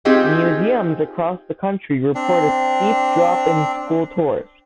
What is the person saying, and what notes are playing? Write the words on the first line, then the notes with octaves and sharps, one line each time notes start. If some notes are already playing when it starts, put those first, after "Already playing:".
Museums across the country report a steep drop in school tours.
C4 D#4 F4 G4 G#4
C4 D4